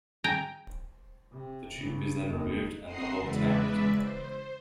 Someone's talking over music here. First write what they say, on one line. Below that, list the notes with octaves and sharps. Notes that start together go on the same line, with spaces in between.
The tube is then removed, and the hole tamped.
G5 G#5 A#5
C3
G2 C#3
D#2 D#4
C4 F#5 A#5 C6 D#6 C7
E2 C#3 G#3 B4 D5 E5
C5